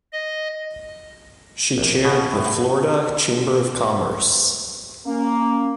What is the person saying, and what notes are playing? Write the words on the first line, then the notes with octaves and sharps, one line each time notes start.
She chaired the Florida Chamber of Commerce.
D#5
A#1
B2
A2
A#3 C#4